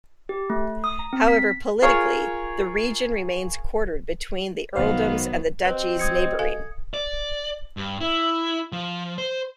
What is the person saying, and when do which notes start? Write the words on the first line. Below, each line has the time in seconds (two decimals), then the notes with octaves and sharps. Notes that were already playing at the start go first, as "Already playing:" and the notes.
However, politically, the region remains quartered between the earldoms and the duchies neighbouring.
0.29 G4
0.50 A3
0.84 D#6
0.99 A#5
1.13 C4
1.28 B6
1.82 F4 G#4 A#4 C#5
4.76 C2 D#3 F#3 B3 C5 F5
5.65 C4 F#4 B4 D#5
5.99 D#6 G#6 C#7
6.39 A4 F5 G#5
6.94 D5
7.77 G2
8.01 E4
8.72 F3
9.18 C5